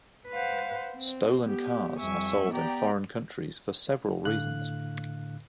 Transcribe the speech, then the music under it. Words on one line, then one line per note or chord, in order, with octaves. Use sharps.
Stolen cars are sold in foreign countries for several reasons.
B4 C5 F5 F#5
C4
B3 G4
F2 G3 E5 G#5 C#6
B3 G4 D5 G5 A#5
A2 D3 F5 F#6